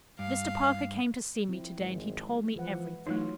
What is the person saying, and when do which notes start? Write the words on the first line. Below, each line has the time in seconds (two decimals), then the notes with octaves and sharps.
"Mr. Parker came to see me to-day, and he told me everything."
0.19 G2 F5
1.48 F3 C4 E4
1.80 G#1 G#3
2.56 E3 F3 B4 F#5
3.07 E3 F#3 A3 D#4 F4 C#5